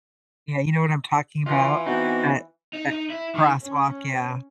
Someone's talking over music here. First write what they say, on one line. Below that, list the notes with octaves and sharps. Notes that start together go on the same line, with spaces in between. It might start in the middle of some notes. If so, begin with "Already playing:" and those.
Yeah, you know what I'm talking about? That that crosswalk, yeah.
E3 F4
B3 C4 D#4 F#4
D#4
D#4
E4
D#3
C#4